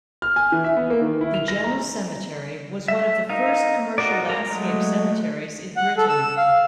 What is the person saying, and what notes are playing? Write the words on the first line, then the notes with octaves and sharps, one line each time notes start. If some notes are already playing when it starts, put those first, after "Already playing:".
The General Cemetery was one of the first commercial landscape cemeteries in Britain.
F6
G#5
E3
E5
B3
A#3
D#3
E4
F7
A#6
A#5
E5
D#4 A#4 F5
D#4 F#4 A#4 D5
A#4 A#5
F#3 G#3 A3
F#5
A4
E6
F5